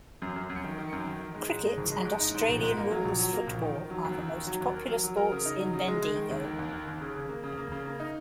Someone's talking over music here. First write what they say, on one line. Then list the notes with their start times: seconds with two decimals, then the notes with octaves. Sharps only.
Cricket and Australian rules football are the most popular sports in Bendigo.
0.22 F#2
0.36 F#2
0.50 F#2
0.64 D#3
0.79 D#3
0.92 F#2
1.07 D#3
1.21 D#3
1.34 G#3
1.49 G#2
1.64 G#3
1.77 G#1
1.92 G#3
2.05 G#2
2.20 D#4
2.34 G#2
2.48 A#1
2.63 G#2
2.77 A#3
2.91 F#3
3.05 A#1
3.19 F#3
3.33 A#3
3.47 A#1
3.61 D#3
3.75 D#3
3.90 F#3
4.04 D#2
4.18 D#2
4.32 D#3
4.47 F#3
4.61 D#2
4.75 A#4
4.88 F#3
5.04 F#3
5.17 A#4
5.31 C#3
5.45 D#4
5.60 F#3
5.73 C#3
5.88 G#3
6.02 G#3
6.16 D#3
6.31 D#2
6.44 D#3
6.59 D#2
6.73 D#3
6.88 D#2
7.01 C#3
7.15 C#3
7.29 A#3
7.44 C#3
7.57 A#3
7.72 C#3
7.86 A#3
8.00 D#4